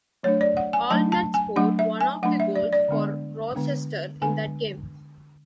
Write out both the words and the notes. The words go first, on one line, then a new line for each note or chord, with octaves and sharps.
Allnutt scored one of the goals for Rochester in that game.
F#3 A3 D4 C#5
D5
F#5
G#5
F#3 A3 D4 A5
A5
G#5
F#3 A3 D4 F#5
E5
G#5
F#3 A3 D4 F#5
E5
D5
D5
D3 G#3 B3 D4
D3 G#3 B3 D4
D3 G#3 B3 D4 G#5